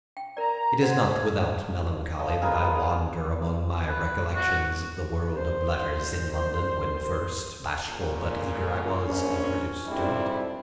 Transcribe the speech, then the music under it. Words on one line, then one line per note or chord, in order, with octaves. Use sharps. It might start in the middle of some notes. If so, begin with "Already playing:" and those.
It is not without melancholy that I wander among my recollections of the world of letters in London when first, bashful but eager, I was introduced to it.
G5
A#4 D5 A#5
C5 F#5 G#6
F3 D#5
B3 F4 G#4 A#4
B4
F#4
C2 C5
A#2 C#3
A#1 C#4
G#1 F2 G3 C4 D4 E4